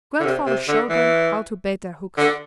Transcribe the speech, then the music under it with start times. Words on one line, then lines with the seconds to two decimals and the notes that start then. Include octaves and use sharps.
Grandfather showed them how to bait their hooks.
0.20 D3
0.25 C3
0.46 C3
0.68 D3
0.90 E3
2.18 D3